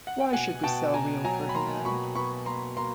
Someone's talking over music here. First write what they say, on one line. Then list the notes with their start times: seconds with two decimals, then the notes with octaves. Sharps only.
Why should we sell Rio Ferdinand?
0.07 F#5
0.20 G5
0.33 B2 F#5 G#5
0.63 B2 G5 A5
0.94 B2 G#5 A#5
1.24 F#3 G#5 A#5
1.49 B5
1.55 A#3 A#5 C6
1.85 B2 B5 C#6
2.15 B2 B5 C#6
2.46 A#3 A#5 C6
2.77 A#3 A#5 C6